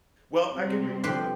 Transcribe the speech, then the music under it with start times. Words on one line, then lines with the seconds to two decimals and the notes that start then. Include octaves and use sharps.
Well, I can re uh
0.53 C3 G3 C4
1.04 D3 F3 G4 B4 C5